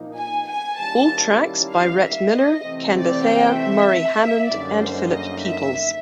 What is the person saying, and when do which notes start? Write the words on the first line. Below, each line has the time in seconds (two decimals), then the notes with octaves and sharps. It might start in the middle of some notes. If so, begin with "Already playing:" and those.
All tracks by Rhett Miller, Ken Bethea, Murry Hammond and Philip Peeples.
Already playing: A#2 F3 A#3 D#4
0.17 G#5
0.48 G#5
0.78 D#3 G3 A#3 C#4 E4 A5
1.72 F5
2.02 E5
2.32 D#5
2.63 C3 E3 A3 C4
2.95 D5
3.25 G5
3.56 E5
4.48 F#2 D3 G3 A#3 D#4 D5
4.78 C5
5.10 D#5
5.41 E5